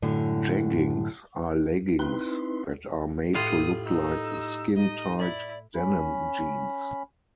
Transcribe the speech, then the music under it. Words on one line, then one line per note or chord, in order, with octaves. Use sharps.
Jeggings are leggings that are made to look like skin-tight denim jeans.
F#2 A2 D3
C4 D#4 E4 B4 C6
A2 F4 G4 A4 D#6
D#4 E6
D#4 D#5
E4 D5
C#4 B5